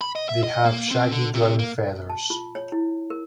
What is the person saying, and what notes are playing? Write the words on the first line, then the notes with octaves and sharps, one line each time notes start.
They have shaggy brown feathers.
B5
D#5
E5
D#5
A#3
C4
D3
C3
A#3
A5
F4
C#5
E4
A#4